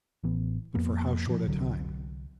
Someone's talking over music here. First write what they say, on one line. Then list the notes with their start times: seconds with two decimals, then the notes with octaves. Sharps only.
But for how short a time!
0.24 A1 E3 B3
0.75 F2 F3 A#3 B3
1.27 A#2 F3
1.47 C2 D3 F#3